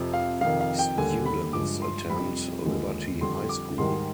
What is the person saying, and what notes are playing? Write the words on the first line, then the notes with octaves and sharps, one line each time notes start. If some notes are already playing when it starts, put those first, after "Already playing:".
Students attend Liberty High School.
Already playing: F2 C3 F3
F5
F2 C3 D#3 F5
F5
G5
D#2 D3 G3 G#5
B5
G2 F3 G#3 D6
C6
F2 C3 G3 B5
D#2 D3 F3 G#3
F2 D3 G3 C6
D6
G#2 D#3 G3 C6